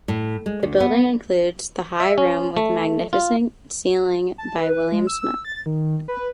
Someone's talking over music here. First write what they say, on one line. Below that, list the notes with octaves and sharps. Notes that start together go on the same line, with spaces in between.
The building includes The High Room with a magnificent ceiling by William Smith.
A2
G#3
D2
B3
E5
C#4
A3
F4
A5
B4
G#3
E6
A6
D#3
B4